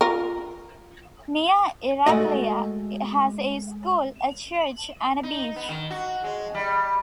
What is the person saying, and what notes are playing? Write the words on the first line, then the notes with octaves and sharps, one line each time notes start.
Nea Irakleia has a school, a church and a beach.
F4 A#4
G#3 A3 F#4 D#5
D#4
B3
D#3
F#4
G#3
G3